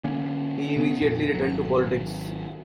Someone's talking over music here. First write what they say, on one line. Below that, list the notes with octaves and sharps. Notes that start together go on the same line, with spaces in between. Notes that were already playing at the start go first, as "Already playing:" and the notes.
He immediately returned to politics.
D3 A#3 C#4
C3 B3 C#4
F2 A#2
G#1 C#2 F#3